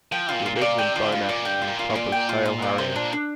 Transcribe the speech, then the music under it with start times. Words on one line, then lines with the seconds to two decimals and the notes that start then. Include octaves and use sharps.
He lives in Bo'ness and his club was Sale Harriers.
0.12 F3 G5
0.29 F4
0.34 A#2
0.46 F4
0.56 A#2
0.62 D5
0.78 C3 G5
0.96 D3 F4
1.12 G2 F4
1.29 A#2 D5
1.45 G2 G5
1.62 F4
1.67 A#2
1.79 F4
1.90 A#2
1.96 D5
2.12 G5
2.29 F4
2.45 F4
2.62 D5
2.78 C3 C5
2.95 A#2 D4
3.13 D4